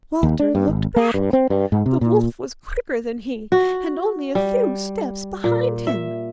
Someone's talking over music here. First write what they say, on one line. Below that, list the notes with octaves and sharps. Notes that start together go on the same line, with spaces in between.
Walter looked back; the wolf was quicker than he and only a few steps behind him.
D#2
D4
G2
G#1
A#3
G2
C4
G2
G#2
C3
A#2
F#4
G3
A#2
E5